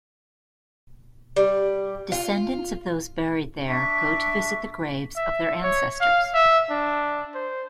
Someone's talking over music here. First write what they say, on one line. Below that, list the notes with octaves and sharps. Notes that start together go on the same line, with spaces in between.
Descendants of those buried there go to visit the graves of their ancestors.
G3
F4
D4 E5 C#6
E5
C#5
F5
E5
D4
C5